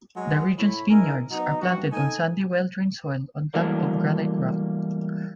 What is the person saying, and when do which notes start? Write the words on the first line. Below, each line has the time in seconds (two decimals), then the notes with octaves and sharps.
The region's vineyards are planted on sandy well-drained soil on top of granite rock.
0.16 F#3 G#3
0.58 A2 A3 C#5 B5
0.90 C#4 D#4 E4 G#4 A#4
1.31 F#3 B3 D#4
1.61 G2 F#4
1.92 D#4 A4 G#5
3.54 E3 F#3 G3 A3 A#3